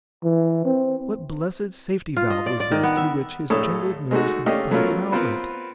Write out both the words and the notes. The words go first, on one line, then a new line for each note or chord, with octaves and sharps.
What blessed safety-valve was this through which his jangled nerves might find some outlet.
E3
C4
F4
D#5
D5
D5
D#3
B3
E5
A#1 A2 A4 C#5 D#6
G#3 A3 D#4 F#4
A3 C#4 G4 A4 D#5 F5
F#3 A3 B3 C#4 F4 A#4
B3 C4 F4 A#4 B4